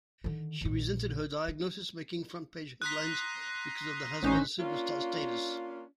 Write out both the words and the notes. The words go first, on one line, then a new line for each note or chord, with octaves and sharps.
She resented her diagnosis making front page headlines because of the husband's superstar status.
D3 D#3
A#1 A#2
F#3
A#5 C6 D#6 F#6 B6
A1 C#4 D#4 C5
A#3 C#4 D4 F4